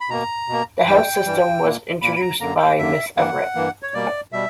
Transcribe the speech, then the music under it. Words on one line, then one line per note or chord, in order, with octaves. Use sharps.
The House System was introduced by Miss Everett.
B5
B2 A#3 A#5
B2 A#3
G2 E3 G3 G5
G2 E3 G3
A#2 A#3
A#2 A#3 B5
B5
A#5
F#2 D3 A#3 A#5
G5
F#2 D3 A#3 E5
G2 E3 A#3 F#5
G2 E3 A#3
C#5
B2 G3 A#3 D5
B2 G3 E5